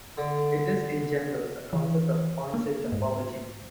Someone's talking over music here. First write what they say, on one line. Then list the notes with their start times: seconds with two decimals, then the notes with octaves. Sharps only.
It is in general, a concept of point-set topology.
0.17 D3
1.73 E3
2.54 A#3
2.92 G#2